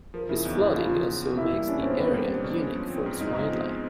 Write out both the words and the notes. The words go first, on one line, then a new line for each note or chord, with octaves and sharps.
This flooding also makes the area unique for its wildlife.
F3 A#4
C#3 E4
E2 D#4
E2 E4
F3 F4
C#3
E2
E2
A#3 E4
G3
C#4 D4
B2 C4
A#3 B3
G3 C4
C4 D4
B2 C4
G#3 C#4
F3
C4
G#2
G#3 D#4
F3
C4